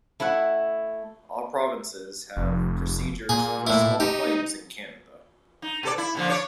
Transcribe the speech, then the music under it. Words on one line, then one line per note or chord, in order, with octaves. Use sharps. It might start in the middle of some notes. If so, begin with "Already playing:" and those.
All provinces have procedures for small claims in Canada.
A3 E4 E5 F#5
F1
A#2 G#4
A2 E4
D#4 G4
D#4
B2 A4 D5
E4
A#2 D3 F3
D4 C#5 D5